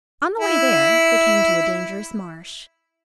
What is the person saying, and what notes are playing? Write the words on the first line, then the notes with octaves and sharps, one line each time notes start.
On the way there they came to a dangerous marsh.
E4